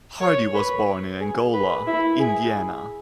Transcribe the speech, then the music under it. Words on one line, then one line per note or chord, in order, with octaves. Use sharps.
Hardy was born in Angola, Indiana.
C#5
B4
G#4
B4
E4
G#4